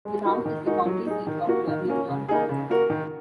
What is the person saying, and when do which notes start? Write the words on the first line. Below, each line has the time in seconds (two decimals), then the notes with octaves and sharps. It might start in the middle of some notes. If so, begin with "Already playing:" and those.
The town is the county seat of Vermillion County.
0.05 G#3
0.25 D#4 F#4 A#4
0.45 D#3
0.65 G#3 D#4 F#4 A#4
0.86 F#3
1.06 D#4 G#4
1.27 D#3
1.47 A#3 F#4
1.67 D#3
1.88 A#3 C#4
2.08 C#3
2.28 A#3 D#4 G#4
2.49 C#3
2.70 A#3 F#4 A#4
2.90 D#3